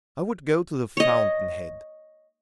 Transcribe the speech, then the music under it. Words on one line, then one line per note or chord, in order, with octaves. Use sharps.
I would go to the fountain-head.
C#5 D#5